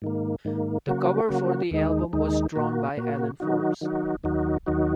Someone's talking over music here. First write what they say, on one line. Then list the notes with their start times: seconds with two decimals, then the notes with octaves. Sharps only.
The cover for the album was drawn by Alan Forbes.
0.02 G#2 D#3 A#3
0.45 G#2 D#3 A#3
0.87 C#3 F#3 A#3 F#4
1.29 C#3 F#3 A#3 F#4
1.71 D#2 D#3 G#3 D#4
2.13 D#2 D#3 G#3 D#4
2.55 A#2 A#3 F#4
2.97 A#2 A#3 F#4
3.40 D#3 F#3 D#4 F#4
3.81 D#3 F#3 D#4 F#4
4.24 D#2 D#3 F#3 D#4 F#4
4.66 D#2 D#3 F#3 D#4 F#4